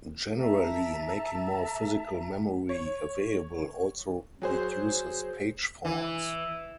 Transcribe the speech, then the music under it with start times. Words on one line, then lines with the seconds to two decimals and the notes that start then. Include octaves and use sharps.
Generally, making more physical memory available also reduces page faults.
0.38 E5 A5 A#5
2.69 C#5
4.42 F#3 G#4 C5
5.85 E3